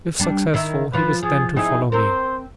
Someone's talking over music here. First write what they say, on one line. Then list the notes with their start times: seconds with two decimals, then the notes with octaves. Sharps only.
If successful he was then to follow me.
0.19 G3 D4
0.54 D#3 E4
0.93 F3 F4 B4
1.23 F3 G#4
1.56 C4 D#4 E4 G#4
1.92 C4 A#4 C5